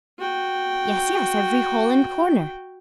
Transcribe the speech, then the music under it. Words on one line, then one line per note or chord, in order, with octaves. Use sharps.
"Yes, yes, every hole and corner."
F#4 G5